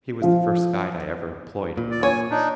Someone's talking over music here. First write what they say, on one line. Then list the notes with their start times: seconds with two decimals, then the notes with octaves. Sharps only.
He was the first guide I ever employed in the mountains.
0.22 F3 F5
1.77 A#2
1.91 D5
2.03 C#5 G#5
2.31 D4 D#4